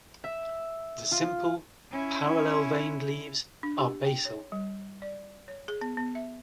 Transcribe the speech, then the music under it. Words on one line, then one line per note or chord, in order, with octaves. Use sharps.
The simple, parallel-veined leaves are basal.
E5
F4
C#4 E4
D4
G4
G5
C#5
G3
D5
C#5
G#4
B3
B3
E5